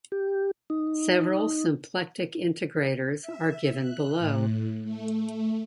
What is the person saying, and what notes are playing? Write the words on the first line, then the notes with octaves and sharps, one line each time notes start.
Several symplectic integrators are given below.
G4
D#4
E5
F#6
A2
A3